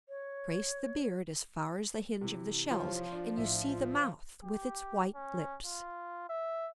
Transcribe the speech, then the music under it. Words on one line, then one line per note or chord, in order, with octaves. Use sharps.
Trace the "beard" as far as the hinge of the shells, and you see the mouth with its white lips.
C#5
C3 E3
F3 F4 C#5
D4
A#1 A2 D4 E5
G4
C#4
F4
E5